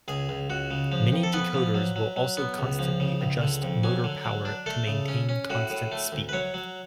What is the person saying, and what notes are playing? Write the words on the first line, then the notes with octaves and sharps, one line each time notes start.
Many decoders will also constantly adjust motor power to maintain constant speed.
C#2 G#4
C#2
C#2 F#4
C#3
F3
F2
A4
B3 B4
F3
F#3
F#3
F#3
B3
C#2
F3
C#3
C#2
D3
F2
F#3 G#5
D3
F#3
D4
A3 A4
C#3
C#4
C#4
A2 F#4
A2
A3
D2
B4
F#3 C#5
F#3